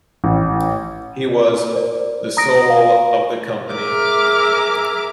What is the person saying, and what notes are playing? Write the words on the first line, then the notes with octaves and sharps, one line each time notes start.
He was "the soul of the company".
A1
A#4 C5 D5
A#5 D#6 A#6 D7
F5
G#4 A#4 E5 D6 F6